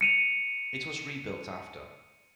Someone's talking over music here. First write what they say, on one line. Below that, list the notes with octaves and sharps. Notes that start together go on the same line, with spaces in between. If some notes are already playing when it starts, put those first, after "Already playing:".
It was rebuilt after.
C#7 D#7 F7